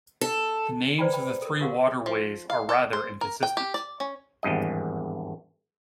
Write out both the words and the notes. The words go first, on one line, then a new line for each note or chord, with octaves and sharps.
The names of the three waterways are rather inconsistent.
A4
B4 C5 D5 G5 A#5 B5
B4 G5 B5
A4 A#4
F4 G4 A#4 F5 F#5 C6
F3
F5
A4
C5
A#4
G5
G4
D5
C#4
G#1 E2 G2 D#5